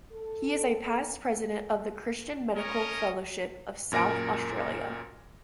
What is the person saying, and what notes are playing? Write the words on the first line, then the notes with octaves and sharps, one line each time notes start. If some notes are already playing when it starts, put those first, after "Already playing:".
He is a past president of the Christian Medical Fellowship of South Australia.
A4
C#4 A#4 C#5 D#5
F#2 A#2 A#4 A#6 D7